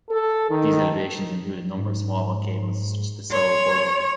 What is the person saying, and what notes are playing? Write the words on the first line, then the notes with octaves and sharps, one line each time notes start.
These elevations include a number of small volcanoes such as the "Cerro Gordo".
A4
D#3
G#2
C#5 C6